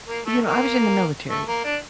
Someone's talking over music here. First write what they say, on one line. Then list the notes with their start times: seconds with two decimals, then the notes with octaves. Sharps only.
you know, I was in the military
0.08 A#3
0.26 A3
0.44 A#3
1.30 A3
1.47 A#3
1.64 D4